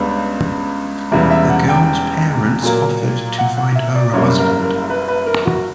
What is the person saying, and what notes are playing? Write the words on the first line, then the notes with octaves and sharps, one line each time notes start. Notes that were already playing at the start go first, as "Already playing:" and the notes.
The girl's parents offered to find her a husband.
Already playing: C#2 C#3 G3 B3 D4
E1 E2 C#3 G3 B3 E5
E5
F#5
G5
A#2 F#3 A#3
F#5
F#5
E5
D5
F#1 F#2 C#3 G3 A#3 C#5
A#4
A#4
B4
B4
A#4
F#4